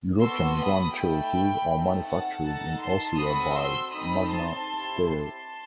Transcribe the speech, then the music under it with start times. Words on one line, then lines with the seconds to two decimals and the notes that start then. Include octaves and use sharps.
European Grand Cherokees are manufactured in Austria by Magna Steyr.
0.19 B3 F#4 A4 C6 E6
0.57 B5 D#6
0.94 A3 D#4 A4 G5 B5
1.68 A3 C4 D#4 A4
2.05 F#5 A5
2.42 D#4 A4 F#5 A5
2.80 A5 C6
3.17 C4 F#4 A4 B5 D#6
3.54 C6 E6
3.91 C4 D#4 A4 B5 D#6
4.28 A5 C6
4.66 C4 E4 G4
5.03 A5 C6